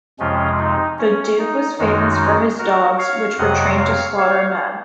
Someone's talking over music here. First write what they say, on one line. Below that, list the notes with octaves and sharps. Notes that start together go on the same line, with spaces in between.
The duke was famous for his dogs, which were trained to slaughter men.
F2 C3 F3 G#3 C#4 F4
D#4
C#4
D#4
F#2 D#3 G#3 D#4 F#4
F#4 A#4
C#5 F5
F2 C3 F#3 D#5 F#5
C#5 F5
C#5 F5